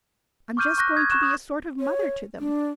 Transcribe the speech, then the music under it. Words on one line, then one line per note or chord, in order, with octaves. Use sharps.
I'm just going to be a sort of mother to them.
C#6 D6 F6 G6 D#7
C#6 F#6 A#6
D#6 G#6
C#6 F#6 E7
D#6
C#5
D4